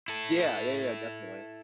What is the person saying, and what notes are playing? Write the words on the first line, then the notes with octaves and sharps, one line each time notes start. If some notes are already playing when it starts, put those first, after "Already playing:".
Yeah, yeah, yeah, definitely.
E4 A4